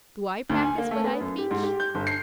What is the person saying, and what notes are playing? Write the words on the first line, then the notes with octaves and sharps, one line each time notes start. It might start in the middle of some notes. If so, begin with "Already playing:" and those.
Do I practise what I preach?
D2
G#5
A#3
A3
B3
F#2
G4
G#2
G4
G6
G1
C7